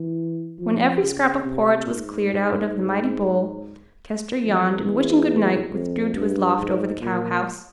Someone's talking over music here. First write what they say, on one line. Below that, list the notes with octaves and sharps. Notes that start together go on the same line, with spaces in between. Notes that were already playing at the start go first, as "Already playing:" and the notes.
When every scrap of porridge was cleared out of the mighty bowl, Kester yawned, and wishing good-night, withdrew to his loft over the cow-house.
Already playing: E3
F3
C#3
C3
G#2
F2
E2
F2
G2
G#2
A#2